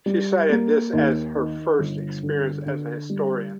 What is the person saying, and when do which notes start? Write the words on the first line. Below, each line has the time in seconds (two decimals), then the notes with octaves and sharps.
She cited this as her first experience as a historian.
0.06 G3
0.50 A#3
0.93 D#2
1.36 D#3
1.79 G1
2.23 D3
2.66 D3
3.10 G3